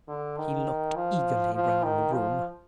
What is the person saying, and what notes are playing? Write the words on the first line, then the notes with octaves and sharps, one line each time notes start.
He looked eagerly round the room.
D3
D#3
F3
F3
D#3
F3